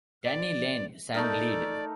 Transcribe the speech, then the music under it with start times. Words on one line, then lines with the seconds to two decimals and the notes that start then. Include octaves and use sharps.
Denny Laine sang lead.
0.24 D5
1.14 A3 D#4 A#4 D5